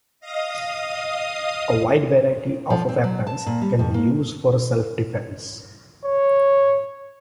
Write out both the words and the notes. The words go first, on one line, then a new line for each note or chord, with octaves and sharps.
A wide variety of weapons can be used for self-defense.
D#5 F5 D#6
F3
C4
F#3
A5
A#2
G3
F2
A#3
C#5